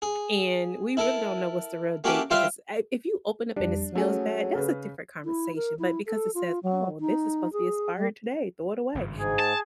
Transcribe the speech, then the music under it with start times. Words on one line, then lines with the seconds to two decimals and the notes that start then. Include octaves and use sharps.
and, we really don't know what's the real date if it's eh if you open up and it smells bad, that's a different conversation, but because it says, "Oh, this is supposed to be expired today, throw it away."
0.02 G#4
0.97 E4 A4 A#4
2.04 A#3 C#4 F#4 G4 A4 E5
2.30 G3 F4 C5 E5 F5 G5
3.56 F2 G3 D4
3.95 F#3 A3 C#4 G#4 A4
4.55 C#3 B4
5.25 E4
5.56 A#4
5.79 E4
6.06 A4
6.35 F4
6.63 F#3
7.00 D#4
7.53 G#4
7.97 G3
8.95 G#1 G2 C#3
9.18 G#2 G#4
9.40 A5